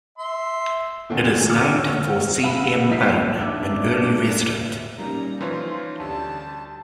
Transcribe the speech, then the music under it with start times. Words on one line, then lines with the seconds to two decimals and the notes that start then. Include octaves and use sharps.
It is named for C. M. Bain, an early resident.
0.18 E5 C6
1.09 E2 A#2 D3 A3 C4
1.49 G#5 D6 E6 F6 C#7
1.74 C#5 F#5
1.93 F6
2.43 F5 F#5 B5 E6 D#7
2.88 A#1 F2 D#4 G6 B6 C7
3.39 D4 D#4 E5 D6
4.98 A#2 G3 C#4 D#4 A#5
5.41 E3 F3 F4 C#5
6.00 D2 G4 A5